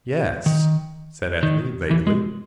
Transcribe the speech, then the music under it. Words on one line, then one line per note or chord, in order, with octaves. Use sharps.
"Yes," said Ethne, vaguely.
D#3
D#3
E3
G#3